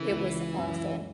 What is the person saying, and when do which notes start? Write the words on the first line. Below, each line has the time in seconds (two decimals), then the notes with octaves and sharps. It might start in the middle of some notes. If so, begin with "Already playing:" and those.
It was awful.
Already playing: C#3 E3
0.11 C#2
0.58 F#2